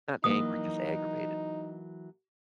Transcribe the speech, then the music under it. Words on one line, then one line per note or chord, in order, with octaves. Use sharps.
not angry, just aggravated.
E3 F#3 A#3 D#4 D#6